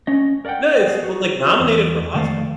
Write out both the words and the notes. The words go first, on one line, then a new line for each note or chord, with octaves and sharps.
No, it's, well, like, nominated for Oscars.
C#4 D#5
A#4 D5 E5 F#5 G5
B3 G#4
F#4 G#4
E2
F2 D#3 A3 A4 D5 F5